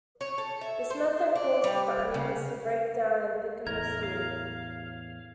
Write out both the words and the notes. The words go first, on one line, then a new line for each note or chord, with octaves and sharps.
This method causes the onions to break down and thicken the stew.
C#5
A4
E5
C5
D4
G3
C#3
E2 A2 A#4 G#6
F5